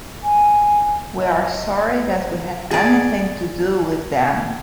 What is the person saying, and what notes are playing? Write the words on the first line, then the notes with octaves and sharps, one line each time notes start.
We are sorry that we had anything to do with them.
G#5
D#5
C5
G#4 D5